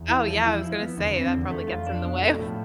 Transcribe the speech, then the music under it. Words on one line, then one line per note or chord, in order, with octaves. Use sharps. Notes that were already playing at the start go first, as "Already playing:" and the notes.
Oh, yeah, I was gonna say that probably gets in the way of
Already playing: E2
E4
F3
E4
F3
B3
E2 D3
F2
C4
F2
E2 D3
A3
F2 F4
D4
B2
A3
A2 F3